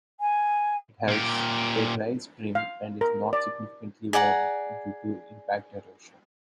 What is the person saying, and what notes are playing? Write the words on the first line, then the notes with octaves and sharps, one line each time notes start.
It has a raised rim and is not significantly worn due to impact erosion.
G#5
A#2 G4
F5
A#4
D5
G#4 D5 F#5 A#5